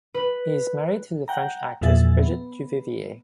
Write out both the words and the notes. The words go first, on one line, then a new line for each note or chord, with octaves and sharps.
He is married to the French actress Brigitte Duvivier.
B4
F#5 G5 A#5
E2 A#2 F3 G#4 E5 A6
B3